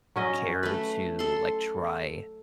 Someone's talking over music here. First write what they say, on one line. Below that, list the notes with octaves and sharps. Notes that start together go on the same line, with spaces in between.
care to, like, try
F#3 C#4 D#5
A3 B4
A4 C6